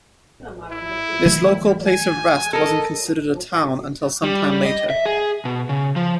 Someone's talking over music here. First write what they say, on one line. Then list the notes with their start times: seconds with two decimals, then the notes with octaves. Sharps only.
This local place of rest wasn't considered a town until some time later.
0.72 E4
1.26 E3 F#3 A3
1.87 G#5
2.53 A4 A#4 D#5
4.23 G3
4.66 D#5
4.90 E5
5.06 G#4
5.45 B2
5.69 C#3
5.96 F3